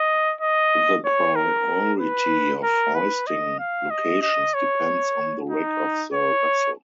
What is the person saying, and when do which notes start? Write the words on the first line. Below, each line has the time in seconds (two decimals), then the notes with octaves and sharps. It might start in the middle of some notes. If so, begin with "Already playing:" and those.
The priority of hoisting locations depends on the rig of the vessel.
Already playing: D#5
0.41 D#5
1.05 C#5
1.36 A#4
2.00 B4
2.63 A#4
2.95 B4
3.27 D#5
3.59 F5
3.91 D#5
4.22 D#5
4.54 C#5
5.50 D#4
6.13 C#5